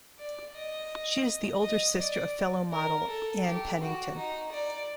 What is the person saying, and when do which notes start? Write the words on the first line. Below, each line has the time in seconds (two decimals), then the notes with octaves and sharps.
She is the older sister of fellow model Ann Pennington.
0.19 D5
0.55 D#5
1.63 D#5
1.99 D5
2.72 A#4
3.07 A4
3.44 G4
3.81 F#4
4.16 D#4
4.52 D5